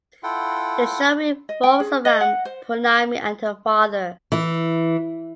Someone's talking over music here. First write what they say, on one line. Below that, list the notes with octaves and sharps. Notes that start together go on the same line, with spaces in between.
The show revolves around Pournami and her father.
E4 F4 A4 F#5 G5
D#5
G5
G#4
D#5
F#5
C5
E3